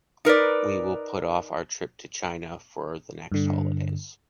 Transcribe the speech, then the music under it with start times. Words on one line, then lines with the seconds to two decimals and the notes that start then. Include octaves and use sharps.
We will put off our trip to China for the next holidays.
0.25 D#4 A#4 B4 D5
3.32 G2 D3